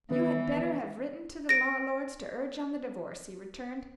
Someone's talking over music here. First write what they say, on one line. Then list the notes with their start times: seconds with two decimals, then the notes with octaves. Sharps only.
"You had better have written to the law lords to urge on the divorce," he returned.
0.11 D#3 E3 B3 B4
1.49 A#6 D7